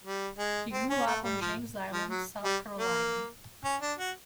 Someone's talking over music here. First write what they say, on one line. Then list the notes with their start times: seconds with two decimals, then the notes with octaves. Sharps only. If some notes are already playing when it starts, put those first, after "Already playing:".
He grew up on James Island, South Carolina.
0.04 G3
0.38 G#3
0.73 C4
0.90 C#4
1.07 A3
1.24 G3
1.41 F3
1.93 F3
2.10 F#3
2.44 G3
2.78 A#3
3.64 C#4
3.81 D4
3.99 F#4